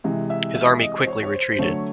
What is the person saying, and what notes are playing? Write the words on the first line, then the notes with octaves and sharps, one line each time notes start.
His army quickly retreated.
C3 E3 G#3
E5
E5
D#5
C5
C#5
C#5
C5
C5
D3 F#3 A3 C#5